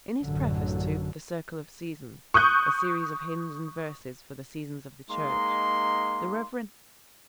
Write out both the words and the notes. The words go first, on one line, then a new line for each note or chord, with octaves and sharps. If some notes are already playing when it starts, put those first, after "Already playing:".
In his preface to The Circle of Seasons, a series of hymns and verses for the seasons of the Church, the Rev.
A1 F#2 D3
C#6 D#6 F#6 G6
G#3 A#3 D#4 C6